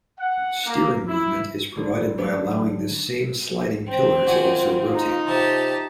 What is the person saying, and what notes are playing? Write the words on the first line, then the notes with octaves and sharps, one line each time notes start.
Steering movement is provided by allowing this same sliding pillar to also rotate.
F#5
A#3
E4
F#1 D3
F#3 G3 A3 B3 D4 G4
D#3 C4 G5
F4 F#4 D5 G#5
D#4
C3 G4 A5